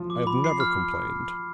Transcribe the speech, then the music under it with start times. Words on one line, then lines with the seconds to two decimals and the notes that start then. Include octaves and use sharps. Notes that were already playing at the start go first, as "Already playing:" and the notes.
I have never complained.'
Already playing: F3
0.10 D6
0.27 B5
0.44 C7
0.60 F6